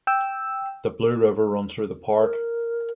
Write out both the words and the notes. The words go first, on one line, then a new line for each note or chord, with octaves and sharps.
The Blue River runs through the park.
G5 E6
A#4